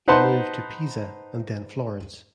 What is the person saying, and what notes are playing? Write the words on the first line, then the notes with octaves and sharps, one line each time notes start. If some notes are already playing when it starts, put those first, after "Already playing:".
He moved to Pisa and then Florence.
D#4 B4 C5 F#5 A5 C6